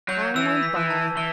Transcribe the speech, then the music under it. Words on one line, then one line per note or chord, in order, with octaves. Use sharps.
Time went by.
F#3 G6
E3 E6
B6
E3
A5
E3 G7